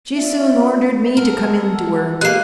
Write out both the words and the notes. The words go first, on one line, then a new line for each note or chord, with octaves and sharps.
She soon ordered me to come in to her.
F4 D5 E5
A4 A#4 F#5
G#3 A#3 G4 F#6 C7